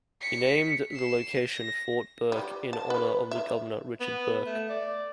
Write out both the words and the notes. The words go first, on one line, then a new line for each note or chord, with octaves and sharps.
He named the location Fort Bourke in honour of the Governor, Richard Bourke.
B6 C#7
C7 E7
A#6
G3
A5
B4
E5
B3
A3
D5